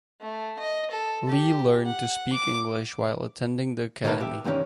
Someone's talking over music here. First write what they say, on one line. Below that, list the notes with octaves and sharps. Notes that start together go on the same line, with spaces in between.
Lee learned to speak English while attending the academy.
A3
D#5
A4
G4
F#5
D6
B2 D#3 A#3 D#4 A4 B4
G4 E5
D2 G2 D#3 E3 C#4